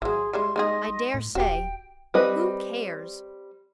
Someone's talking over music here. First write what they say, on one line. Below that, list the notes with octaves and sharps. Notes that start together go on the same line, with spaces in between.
I dare say. Who cares?
G#1 E3 F#3 G#4 C6
G3 G#3 E4 C6
G#3 D#4 G#4 D#5 C6
A2
D#1 F#4 G4 G5
G3 C4 B4 D#5 B5